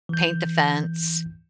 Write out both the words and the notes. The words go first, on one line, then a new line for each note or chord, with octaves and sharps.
paint the fence,
E3 G6